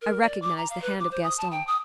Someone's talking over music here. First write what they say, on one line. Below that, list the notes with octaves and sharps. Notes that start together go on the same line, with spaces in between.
I recognised the hand of Gaston.
A#4
D5
D6
A#5
F5
B4
D6
C5
D#6
A5
G5
D#6